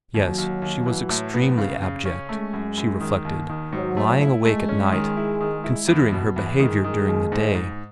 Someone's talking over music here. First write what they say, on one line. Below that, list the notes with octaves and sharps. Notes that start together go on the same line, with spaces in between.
Yes, she was extremely abject, she reflected, lying awake at night considering her behaviour during the day.
D#2 F#3
D#2
D#2
E3
A2
B3
C#3
C#3
C#4
G#3 A3
F#2
F#2
D#3
D#2
D#3
G#2 F#3
A3
E4
G#3 A3
C#4
D#3
E4
D#3
E4
E2
B2
E2
D#3 G#3
D#3
D#2
G#2
G#2